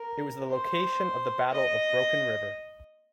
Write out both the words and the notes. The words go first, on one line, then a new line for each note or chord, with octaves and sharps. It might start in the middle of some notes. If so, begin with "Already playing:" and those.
It was the location of the Battle of Broken River.
Already playing: A#4
C5
D#5